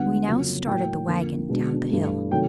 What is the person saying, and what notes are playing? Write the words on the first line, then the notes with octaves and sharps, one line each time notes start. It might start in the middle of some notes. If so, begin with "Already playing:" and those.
We now started the wagon down the hill.
Already playing: D2 D3 G3 B3 D4 F#5
F2 C#3 F#3 A#3
A2 F#3 A#3 G5
F2 D3 F3 A#3
B2 G#3 B3 D4
G2 E3 A3
C3 D#3 F#3 A3 G5